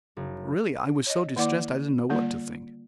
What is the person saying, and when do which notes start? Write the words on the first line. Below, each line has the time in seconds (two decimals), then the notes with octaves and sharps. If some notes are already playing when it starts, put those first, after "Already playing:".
Really I was so distressed, I didn't know what to think.
0.17 F#1
1.06 C#5 D#5
1.36 D#3 A#3 E4 D5 F#5 D6
2.09 D3 G3 A#3 F4 D5